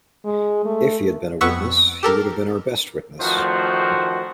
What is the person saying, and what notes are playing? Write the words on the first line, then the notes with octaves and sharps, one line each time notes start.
If he had been a witness, he would have been our best witness.
G#3
A3
F2 B3 F#5 C#6 E6 B6
G4 A4 A#4
A1 D#3 F3 A3 F#4 C5